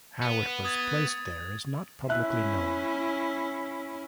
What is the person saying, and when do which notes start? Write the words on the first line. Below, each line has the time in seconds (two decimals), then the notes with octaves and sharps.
How it was placed there is not publicly known.
0.22 B3
0.65 D#6 G#6 A6
2.09 C#4 E4 E5 F#6